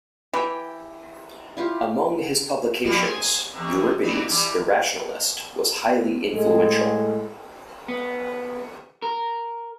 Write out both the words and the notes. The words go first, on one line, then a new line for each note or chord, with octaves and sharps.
Among his publications, "Euripides the Rationalist" was highly influential.
E3 G4 G5
E4 F4 G4
F2 G3 G4
G#4 C5
E2 C3
A2 G3 D#4
E3 G3
B3
A2 G#3 A4
B3
A#4